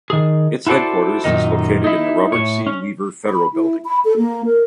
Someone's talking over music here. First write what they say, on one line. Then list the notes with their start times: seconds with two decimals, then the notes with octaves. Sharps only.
Its headquarters is located in the Robert C. Weaver Federal Building.
0.10 D#3 G#4
0.67 E4 F#4 A4 C5 D5
1.24 F#2 A#2 D#3 D#4
1.84 D#4 E4
2.32 A2 C#5
2.67 C#4
3.29 B5
3.54 E4
3.85 B5
4.05 A4
4.17 A#3
4.45 A#4